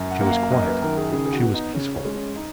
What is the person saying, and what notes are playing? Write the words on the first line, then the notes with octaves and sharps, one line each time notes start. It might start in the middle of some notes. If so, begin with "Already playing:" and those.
She was quiet, she was peaceful.
Already playing: F#2
F#5
A#3 F#5
F5
F#2 D#5
B4
D#3 A#4
G#4
C#3 G#4
G#4
F#4
B3
D#4
C#3 C#4
C#4
G#3
C#4
D#4